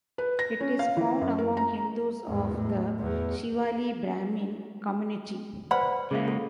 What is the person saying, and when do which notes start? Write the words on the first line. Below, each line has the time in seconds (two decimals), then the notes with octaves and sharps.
It is found among Hindus of the Shivalli Brahmin community.
0.18 B4
0.39 A#6
0.60 C#4
0.79 F5
0.97 E3
1.21 F#2
1.38 A#4
1.57 A#5
2.27 E2 G#2
2.56 A2
3.00 E2
5.71 B4 C5 D5 F#5 B5
6.11 C#3 G#3 A#3 G#4 E5 F5
6.28 A4